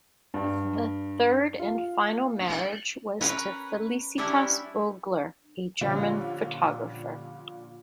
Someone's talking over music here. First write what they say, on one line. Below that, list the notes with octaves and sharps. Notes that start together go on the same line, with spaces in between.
The third and final marriage was to Felicitas Vogler, a German photographer.
G2
F4
C#4 A#4 B4
G3 C#4 D4 E4
A#2 D3 F3 G3 C#4 F4